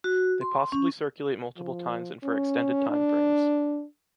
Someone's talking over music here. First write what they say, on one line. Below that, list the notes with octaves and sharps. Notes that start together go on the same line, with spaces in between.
They possibly circulate multiple times and for extended timeframes.
F#4
C6
C#4
F3
C#4
D4